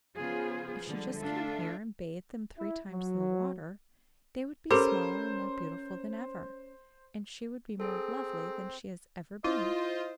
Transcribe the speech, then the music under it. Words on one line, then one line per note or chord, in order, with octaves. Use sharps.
"If she just came here and bathed them three times in the water, they would be smaller and more beautiful than ever, and she would be more lovely than she has ever been."
C#3 F3 B3 F4 G#4 C5
D3 F3 G3 G#3
A3 D4 F4 A4 E5
E4
F#3
C#4 G4 A4 A#4 C5 B5
C4 G#4 A4
E4 F4 C5 D#5